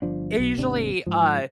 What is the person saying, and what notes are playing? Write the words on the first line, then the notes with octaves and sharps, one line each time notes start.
it usually, uh,
G1 F3 D4
B1 B2
G#1 D#2 C3 D4
G#2 F3